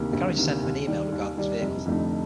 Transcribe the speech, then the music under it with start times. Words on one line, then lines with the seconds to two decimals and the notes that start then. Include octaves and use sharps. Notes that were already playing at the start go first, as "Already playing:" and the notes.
The garage sent him an email regarding his vehicle.
Already playing: D2 C3 D#3 A#3
0.13 D2
0.38 C3 D#3 A#3
0.63 D#2
0.87 D#3 G3
1.12 D#2
1.37 D#3 G3
1.61 F1
1.86 F2 D3 A3 D#4